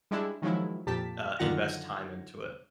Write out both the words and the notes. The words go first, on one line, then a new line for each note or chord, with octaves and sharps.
uh, invest time into it.
G3 G#3 D4 E4
D#3 F3 F#3 G#3 E4
F2 A#2 G4 A5 B6
F#2 D3 D#3 F4 F#5 A#6